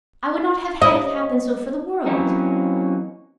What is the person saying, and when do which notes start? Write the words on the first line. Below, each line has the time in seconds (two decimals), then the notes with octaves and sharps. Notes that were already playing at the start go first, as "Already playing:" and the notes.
I would not have had it happen so for the world.
0.82 D#5
2.06 E3 F#3 A#3 C4 C#4 D#4